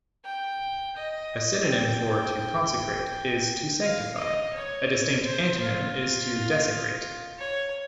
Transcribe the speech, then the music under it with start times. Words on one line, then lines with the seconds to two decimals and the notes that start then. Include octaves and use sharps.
A synonym for to consecrate is to sanctify; a distinct antonym is to desecrate.
0.25 G5
0.97 D#5
1.68 G5
3.82 F5
4.18 D#5
4.53 C#5
5.24 C5
5.60 F4
7.39 C#5